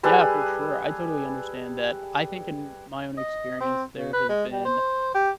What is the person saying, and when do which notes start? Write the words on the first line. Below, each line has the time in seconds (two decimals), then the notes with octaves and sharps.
Yeah, for sure. I totally understand that. I think in my own experience, there has been,
0.03 G3 G#4 A4 B4
3.18 D#5
3.60 C4
3.96 C#3
4.13 B4
4.29 G#3
4.52 G3
4.65 C5
5.14 G4